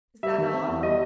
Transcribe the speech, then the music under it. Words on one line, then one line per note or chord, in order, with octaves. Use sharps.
"Is that all?"
G3 E5
D#3
C4
E2
G3 D#5